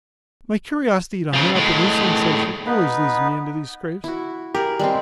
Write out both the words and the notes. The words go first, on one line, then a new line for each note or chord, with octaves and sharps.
My curiosity to hunt up a new sensation always leads me into these scrapes.
C#3 F3
A2 G#3
B3 D#4 B4
E4 F#4
G4 G#4 A#4
G3 G#3 C4